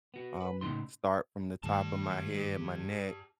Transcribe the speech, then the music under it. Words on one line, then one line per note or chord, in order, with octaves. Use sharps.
Um, start from the top of my head, my neck,
B3 F#4
B4
A2 C#3 D#4 C6
G2 D#3 A3 G4 A5